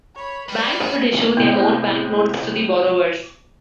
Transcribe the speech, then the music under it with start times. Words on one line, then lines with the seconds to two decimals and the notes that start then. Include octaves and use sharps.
Banks would issue their own bank notes to the borrowers.
0.15 C#5 B5
0.49 B4 D5 G5 B5
1.37 A2 C3 G#3 B3